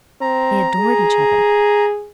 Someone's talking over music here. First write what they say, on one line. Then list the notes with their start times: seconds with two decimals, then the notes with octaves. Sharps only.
They adored each other.
0.21 C4 A#5
0.80 G#4